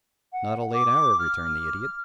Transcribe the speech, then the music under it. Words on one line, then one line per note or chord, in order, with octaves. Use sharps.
"Not a late hour," returned the Idiot.
F#5
D6
F6